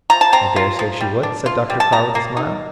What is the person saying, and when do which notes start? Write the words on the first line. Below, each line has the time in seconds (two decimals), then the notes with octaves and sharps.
"I dare say she would," said Dr. Carr, with a smile.
0.10 F3 A#5
0.21 A5
0.33 C4 A#5
0.56 F4
0.79 F3
1.01 G3
1.23 D4
1.46 F4
1.70 G3
1.80 A5
1.92 G3 A#5
2.15 A#3
2.37 D#4